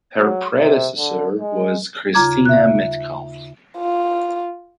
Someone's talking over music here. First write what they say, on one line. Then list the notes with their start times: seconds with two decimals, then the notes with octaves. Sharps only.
Her predecessor was Christina Metcalf.
0.18 F#3
0.58 C3
0.98 D3
1.41 G#3
2.14 D#2 C#3 F4 A#5 D6 G#6
2.45 E5 F#6
3.78 F4